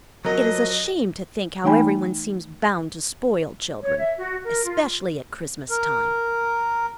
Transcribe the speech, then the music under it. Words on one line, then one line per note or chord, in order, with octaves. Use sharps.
It is a shame to think how every one seems bound to spoil children, especially at Christmas time.
F3 F#3 C#4 A#4 D#5
E3 A3 D#4 G5 G#5 B5
C#5
E5
F#4
A#4
F4
A#4